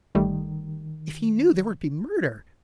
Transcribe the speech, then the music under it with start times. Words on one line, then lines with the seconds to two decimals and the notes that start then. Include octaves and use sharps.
If he knew, there would be murder.
0.15 G1 D#3 G3 A3